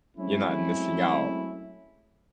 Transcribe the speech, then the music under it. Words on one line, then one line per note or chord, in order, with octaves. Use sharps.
you're not missing out.
F#3 G#3 A3 C4 C#4 E4